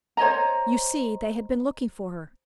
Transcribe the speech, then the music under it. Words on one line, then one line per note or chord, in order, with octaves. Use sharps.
You see, they had been looking for her.
C5 C#5 D#5 A#5